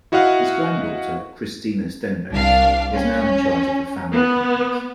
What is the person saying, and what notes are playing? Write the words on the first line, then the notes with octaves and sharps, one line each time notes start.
His granddaughter, Cristina Stenbeck is now in charge of the family companies.
E4 F#4 D#5 F5 F#5
C2 D4 F5
C#4
B3